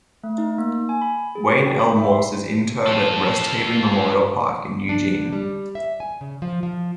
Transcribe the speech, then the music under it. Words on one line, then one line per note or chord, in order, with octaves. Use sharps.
Wayne L. Morse is interred at Rest Haven Memorial Park in Eugene.
A3
D#4
A#3
G#5
B5
G#4
F#4
G5
B5
E5
C6
F4 A4
D4
G3
E5
G#5
C#3
F3
F3